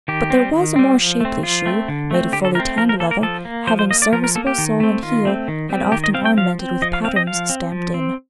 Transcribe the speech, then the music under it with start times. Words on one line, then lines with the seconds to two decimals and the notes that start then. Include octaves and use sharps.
But there was a more shapely shoe, made of fully tanned leather, having serviceable sole and heel, and often ornamented with patterns stamped in.
0.08 D#3 G4
0.30 G3 C4
0.53 D#3
0.76 G3 C4
0.98 F3
1.21 A3 C4
1.43 F3 F4
1.66 A3 C4
1.88 D3
2.11 A3 C4
2.32 D3 G4
2.45 A4
2.55 A3 C4 A#4
2.78 F3 A#4
2.89 A#4
3.00 A#3 A4
3.11 A#4
3.23 F3 A4
3.45 A#3
3.67 F3 C5
3.79 C5
3.91 A#3 D#5
4.02 D5
4.13 F3 A#4
4.24 A#4
4.35 A#3 A4
4.47 G4
4.58 D#3
4.80 A3 C4
5.03 D#3 F4
5.25 A3 C4
5.48 D#3
5.69 G3 C4
5.92 D#3 G4
6.04 D#5
6.14 C4 F5
6.18 G3
6.25 G5
6.37 F3 F5
6.60 C4
6.82 F3 D#5
6.93 F5
7.04 C4 F5
7.16 D#5
7.27 F3 F5
7.49 C4
7.72 F3
7.94 C4